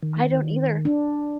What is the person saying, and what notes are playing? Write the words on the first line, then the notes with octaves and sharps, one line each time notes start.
I don't either.
D#3
D4